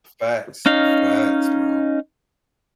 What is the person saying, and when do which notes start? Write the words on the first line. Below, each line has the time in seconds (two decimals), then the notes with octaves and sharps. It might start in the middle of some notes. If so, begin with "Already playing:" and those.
Facts. Facts, bro.
0.66 C#4 D#4 F5